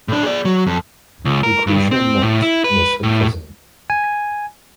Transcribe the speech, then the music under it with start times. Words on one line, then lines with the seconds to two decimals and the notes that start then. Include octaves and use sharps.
Lucretia Mott was her cousin.
0.08 A2 D4
0.23 G#4 D5
0.45 F#3
0.67 F2
1.25 C#2
1.43 A#4
1.67 G2
1.91 C4
2.22 A2
2.42 E4
2.64 B4
3.03 A2
3.90 G#5